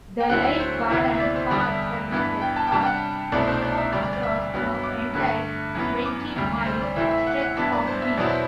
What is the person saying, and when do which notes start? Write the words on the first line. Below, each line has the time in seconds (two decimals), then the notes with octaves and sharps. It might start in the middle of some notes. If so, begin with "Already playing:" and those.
The lifeguard and park services are uniform across the entire twenty-mile stretch of beach.
0.20 G5
0.29 D2 D3 F#3 C4 E4 F#5
0.44 E5
0.60 C5
0.90 D2 C3 E3 B3 E4
1.14 E5
1.20 D5
1.36 C5
1.51 E2 D3 G3 D4 D5
1.61 D5
1.66 E5
2.11 G2 E3 B3 D4
2.42 G5
2.56 A5
2.67 G5
2.72 C3 G3 D4 A5
2.83 G5
2.86 F#5
3.32 C2 B2 A3 E4 D5
3.48 C5
3.62 D5
3.78 E5
3.93 D2 C3 G3 D5
4.03 D5
4.13 D5
4.23 E5
4.54 G2 F#3 B3
4.84 D6
5.14 G2 D3 A3
5.75 F#2 E3 B3
6.06 D6
6.36 D2 C3 G3
6.66 C5
6.81 D5
6.96 C3 E3 A3 C4 E4 E5
7.11 E5
7.27 F#5
7.42 F#5
7.57 G2 E3 B3 D4 E5
7.72 D5
7.87 C5
8.02 E5
8.17 E2 B2 F#3 B3 E4 D5
8.26 C5